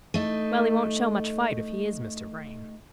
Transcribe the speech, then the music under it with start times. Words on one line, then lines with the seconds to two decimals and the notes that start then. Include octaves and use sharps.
"Well, he won't show much fight if he is Mr. Vrain."
0.14 A3 D#4